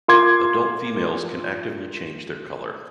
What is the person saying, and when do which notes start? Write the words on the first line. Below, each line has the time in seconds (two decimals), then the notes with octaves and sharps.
Adult females can actively change their color.
0.08 F4 A#4 C6 D6 G#6